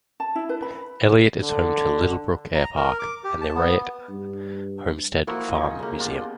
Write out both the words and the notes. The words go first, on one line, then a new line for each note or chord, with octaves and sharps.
Eliot is home to Littlebrook Airpark and the Raitt Homestead Farm Museum.
A5
E4
B4
B5
D3
A#5
A#4
D6
G4
A5
B3
G2
F3 A#3 E4 F#4
D#4 G#4
C#3 A#3
B2 F4 G4